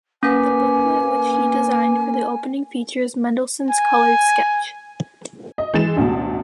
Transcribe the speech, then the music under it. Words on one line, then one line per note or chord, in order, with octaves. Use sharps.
The booklet which he designed for the opening features Mendelsohn's coloured sketch.
A#3 C#4 B4 G#5 D6
G#5
D#5
E3 G#3 A6 E7
A1 D2 B2